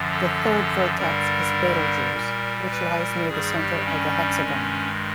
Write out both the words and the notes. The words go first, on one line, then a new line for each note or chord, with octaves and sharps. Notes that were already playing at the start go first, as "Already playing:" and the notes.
The third vertex is Betelgeuse, which lies near the center of the hexagon.
Already playing: F#2 D3 F3
A4
G2 D3 G3 A#4
A#2 G3
B4
A#4
G2 D#3 G3 G#4
G4
C#4
G2 D#3 G#3